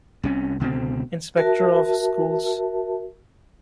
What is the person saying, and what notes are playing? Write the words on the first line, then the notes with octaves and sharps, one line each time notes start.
Inspector of Schools.
C2 C3 C#4
C#2 B2 D3 C4
F#4 A#4 E5 A5